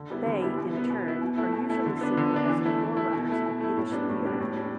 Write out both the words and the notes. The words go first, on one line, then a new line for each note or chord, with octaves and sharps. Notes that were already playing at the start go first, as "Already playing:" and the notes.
They, in turn, are usually seen as the forerunners of Yiddish theater.
Already playing: D3
G3 B3 E4
D3
G3 B3 E4
B2
B3 E4
B2
B3 E4
B2
A3 E4
B2
A3 E4
D3
B3 D4
D3
B3 D4
E3
A3 E4
E3
A3 E4
B2
A3 E4
B2
A3 E4
A2
G3 B3 D4
A2
G3 B3 D4
A2
G3 D4